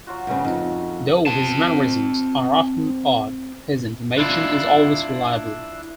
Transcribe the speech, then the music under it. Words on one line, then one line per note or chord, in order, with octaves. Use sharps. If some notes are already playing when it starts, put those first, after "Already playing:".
"Though his mannerisms are often odd, his information is always reliable".
F#3 F4 F#4
G2 C#3 C4
F2 D#4
C4 A5
D4 E4 F4